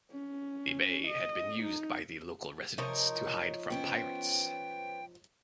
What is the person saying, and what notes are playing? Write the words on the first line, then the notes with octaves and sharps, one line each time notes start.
The bay had been used by the local residents to hide from pirates.
C#4
D#5
D#4
C3 F3 D#4 A#4 C#5
B3 C#4 C5 G5